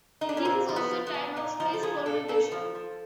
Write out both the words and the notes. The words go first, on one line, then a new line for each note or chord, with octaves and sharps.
This is also a time of space colonization.
D#4
D4
C#4
A#2 C4
F3
B3
F3
B3
A#2
A#2 D#4
F3 D#4
A4
F3 G#4
A#2 A4
A#2 A4
F3
F3